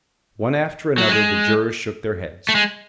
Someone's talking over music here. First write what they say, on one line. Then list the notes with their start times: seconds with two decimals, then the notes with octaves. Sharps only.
One after another the jurors shook their heads.
0.98 F#3
1.09 G#3
2.49 A3
2.55 G#3